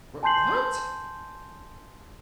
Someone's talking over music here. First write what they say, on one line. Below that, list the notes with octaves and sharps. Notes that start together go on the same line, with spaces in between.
We what?
G#5 A5 C6 G6 C7 F#7